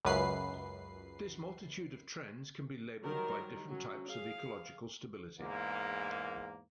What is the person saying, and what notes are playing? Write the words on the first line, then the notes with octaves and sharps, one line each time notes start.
This multitude of trends can be labeled by different types of ecological stability.
C#2 F#2 B4 C7
D#3 F#3 G3 A#4
F#3 C#4
G#4 F5
E2 G#2 A#3